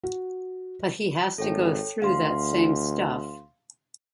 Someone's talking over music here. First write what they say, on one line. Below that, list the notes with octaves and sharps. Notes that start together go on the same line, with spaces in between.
But he has to go through that same stuff.
F#4
G#1 A4 C#5 G5
D2 F5 C6